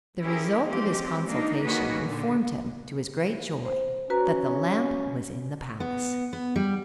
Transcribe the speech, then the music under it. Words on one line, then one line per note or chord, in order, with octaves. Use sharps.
The result of his consultation informed him, to his great joy, that the lamp was in the palace.
C#4 E4 G4 G#4 A#4
F3 G#3 C4 C#4 G4
A#3 D4 D#4
D#3 A#3 F#4 G#4 B4 C#5
A#2 D3
C5
C#4 F#4 B4 A#5
B3
B3
G3